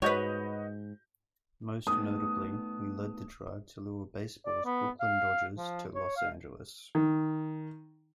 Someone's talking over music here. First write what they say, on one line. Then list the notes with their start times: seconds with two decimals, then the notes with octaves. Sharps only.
Most notably, he led the drive to lure baseball's Brooklyn Dodgers to Los Angeles.
0.02 G#2 F#4 B4 C#5 D#5 G6
1.87 A3 B3 D#4 D#6
4.46 D5
4.65 B3
5.00 F5
5.57 F3
5.95 C#5
6.17 F5
6.95 D#3